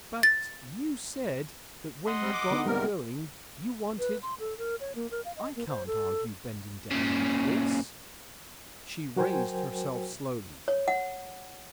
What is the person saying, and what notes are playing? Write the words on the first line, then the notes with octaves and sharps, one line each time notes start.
"But you said that when you got going, you wanted---- I can't argue bending down like this." She raised herself slowly.
A6
D#5 F#5 C6
G3 C4
D6
D3 B3 D#4
G#2 C3 G3 A#3 B3 A#4
B4
C6
A4
A#4
C#5
A#3
A#4
F5
D#5
A#3
C5
A4
A#2 C#3
F#3 F#4 A#4 C5 G5 G#5
C#5
F#5